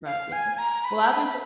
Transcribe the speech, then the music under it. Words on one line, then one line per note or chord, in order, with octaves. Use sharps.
Right, yes, sir, well, I've enjo
F5
G#5
A#5
B5
B5